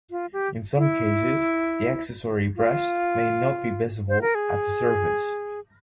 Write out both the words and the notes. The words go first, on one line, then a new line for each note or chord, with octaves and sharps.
In some cases, the accessory breast may not be visible at the surface.
F4
G4
E4
F4
C5
A#4
G#4